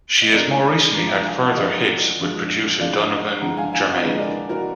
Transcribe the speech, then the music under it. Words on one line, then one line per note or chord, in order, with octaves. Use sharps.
She has more recently had further hits with producer Donovan Germain.
D#5
F2 D3 F3 G#3 A#4 D5
G#5 B5
F2 D3 F3 G#3 A#5 D6
F#5 A#5
F5 G#5
D#5 F#5
F#5
F2 D3 F3 G#3 D5 F5
F2 D3 F3 G#3
F2 D3 G#3 D5 F5
D#5 F#5
F2 D3 G#3 F#5 A#5
F5 G#5
F5 G#5
D#5 F#5
F2 D3 G#3 B4 D#5
A#4 D5
F#4 A#4